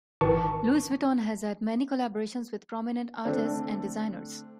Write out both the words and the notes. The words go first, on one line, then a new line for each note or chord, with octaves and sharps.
Louis Vuitton has had many collaborations with prominent artists and designers.
G#1 D#3 E3 A5 C#6
D3 A3 C4 D4